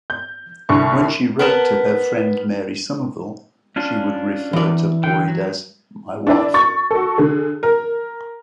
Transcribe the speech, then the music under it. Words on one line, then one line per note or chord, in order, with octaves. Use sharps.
When she wrote to her friend Mary Somerville, she would refer to Lloyd as “my wife”.
G6
C2 D3 C#6
B3 A#4 A5
C#4 D4 F4
E3 D5
D3 G5
F#3
D4 E4 D5
C#6 A6
F#4 A4
D3 G#4
A#4